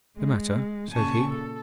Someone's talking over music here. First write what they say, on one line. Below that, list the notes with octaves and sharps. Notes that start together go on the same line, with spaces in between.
'The matter?' said he.
G#3
A#2 C#3 G#5 A5 C#6
A4